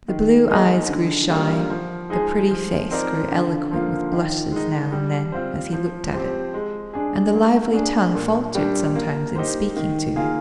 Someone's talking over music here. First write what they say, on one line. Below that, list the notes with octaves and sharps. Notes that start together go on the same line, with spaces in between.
The blue eyes grew shy, the pretty face grew eloquent with blushes now and then, as he looked at it, and the lively tongue faltered sometimes in speaking to him.
D#3
G#3 D#4 G#4 D#5
D3
G3 A#3 F4
F3
G#3 D#4 G#4
F3
C4 D#4 A#4 D5
D3
F3 A#3 F4
D#3
G#3 D#4
G3
C4 F4 C5
F3
C4 G4 C5
G#3
D4 G#4
A#3
D4 G#4
A#2
G3 D4 G4
A#3
D#4 G4 C5
D#3
A#3 F4 G#4